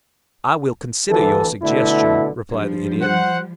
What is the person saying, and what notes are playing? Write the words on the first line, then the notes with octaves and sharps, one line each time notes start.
"I will consider your suggestion," replied the Idiot.
D2 E3 A4
B2 D3 A3 E4
G2 F3 G3
C5 F#5